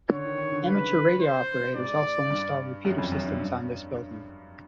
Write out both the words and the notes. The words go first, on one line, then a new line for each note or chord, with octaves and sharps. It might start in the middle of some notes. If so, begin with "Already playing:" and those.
Amateur radio operators also install repeater systems on this building.
D3 C#5
D#3
D#3
D3
C#3 B4
C5
G#2 D5
G2
F#2
F2
F#2
G2
G2